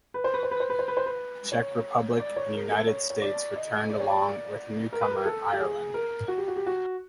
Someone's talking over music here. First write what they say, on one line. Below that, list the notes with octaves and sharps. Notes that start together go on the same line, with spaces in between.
Czech Republic and United States returned along with newcomer Ireland.
B4
C5
B4
C5
B4
C5
B4
C5
B4
C5
B4
C#5
D5
C#5
A#4
A4
C#5
C#5
D5
D#5
D5
C#5
D5
A#4
B4
A#4
A4
G4
G#4
A#4
F#4
G4
F#4
G4
F#4